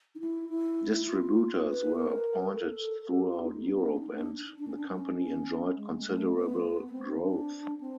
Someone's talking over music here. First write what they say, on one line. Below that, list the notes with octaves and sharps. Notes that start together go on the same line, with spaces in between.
Distributors were appointed throughout Europe and the company enjoyed considerable growth.
D#4
E4
E4
F4
B4
A#4
A4
G4
F4
D#4
B3
C4
C#4
D4
D#4
D4
D4
C#4
D4
C#4
C#4
G#3
A#3
A3
B3
B3
C4
D4
C4